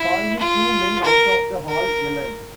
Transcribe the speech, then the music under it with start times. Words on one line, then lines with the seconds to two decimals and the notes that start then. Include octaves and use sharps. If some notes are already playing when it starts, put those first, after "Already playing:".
Call me two men out of the hall, Ellen.
Already playing: E4
0.39 F4
1.03 A#4
1.68 A#4